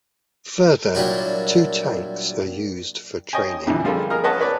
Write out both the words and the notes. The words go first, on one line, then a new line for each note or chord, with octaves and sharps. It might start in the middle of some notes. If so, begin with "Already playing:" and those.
Further two tanks are used for training.
A#2 F#3 G3 D4 E4 F#4
C#5 D#5 G5 G#5
A#1 F2 D3 E3
F3 G3 A#3 F4 G#4 A4
G#4 A#4 D#5 A#5 F6
B4 C#5 D#5 F#5 A5 C#6
B4 C#5 D5